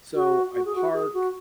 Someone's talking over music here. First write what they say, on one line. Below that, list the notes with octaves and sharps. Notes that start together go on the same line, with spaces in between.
So I park
F#4
F#4
G#4
F#4
G#4
F#4